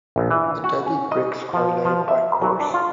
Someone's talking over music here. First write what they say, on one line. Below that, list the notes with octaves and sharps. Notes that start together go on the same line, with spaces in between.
Adobe bricks are laid by course.
A#1
E3
F#4
C#4
D#5
F3
F3
E5
F#3
D4
F4